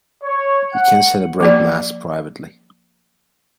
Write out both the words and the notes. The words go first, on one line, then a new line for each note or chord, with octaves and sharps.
He can celebrate Mass privately.
C#5
F#5
F3 A#3 D5